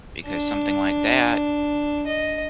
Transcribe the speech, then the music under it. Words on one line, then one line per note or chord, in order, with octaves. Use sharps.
because something like that.
D4
D#5